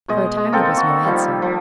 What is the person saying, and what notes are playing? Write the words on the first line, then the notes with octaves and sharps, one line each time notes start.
For a time there was no answer.
B2 G#3 D#5
A#3 C4 A4 G5
F#4
D#3 F3 G3
F3